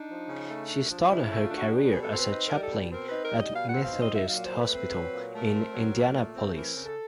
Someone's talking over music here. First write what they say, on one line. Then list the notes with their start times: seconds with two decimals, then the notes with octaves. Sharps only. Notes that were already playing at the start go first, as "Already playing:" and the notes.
She started her career as a chaplain at Methodist Hospital in Indianapolis.
Already playing: D4 D#4
0.09 F3
0.29 C#3
0.49 A3
0.69 D4
0.90 F3
1.09 C#3 E4
1.25 E4
1.30 A3
1.40 F4
1.51 D4 F#4
1.70 G3
1.86 B2 G#4
2.01 A4
2.10 C4
2.16 B4
2.30 D#4 B4
2.46 G3 A#4
2.61 A4
2.71 B2
2.91 C4 A#4
3.07 D#4 B4
3.22 A#4
3.31 G3
3.38 D#5
3.52 B2 F5
3.67 F#5
3.73 C4
3.82 F5
3.93 D#4
3.98 D#5
4.12 F#3 E5
4.28 A#2 F5
4.43 C5
4.54 A3 B4
4.74 C4
4.94 F#3
5.13 A#2
5.34 A3 A#4
5.54 C4
5.74 F#3
5.95 A#2
6.15 A3
6.36 C4
6.55 E3 A#4
6.76 C#3
6.85 A4